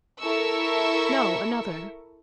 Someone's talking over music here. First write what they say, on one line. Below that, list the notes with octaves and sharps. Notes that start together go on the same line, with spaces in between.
"No, another."
E4 A4 A#4 E5 C#6 E6